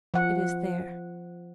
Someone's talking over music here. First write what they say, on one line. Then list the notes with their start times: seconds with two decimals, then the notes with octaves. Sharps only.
"It is there."
0.14 F3 F#5